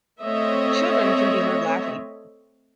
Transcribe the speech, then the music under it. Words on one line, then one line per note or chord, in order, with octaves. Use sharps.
Children can be heard laughing.
A3 C4 C#5 D#5 E5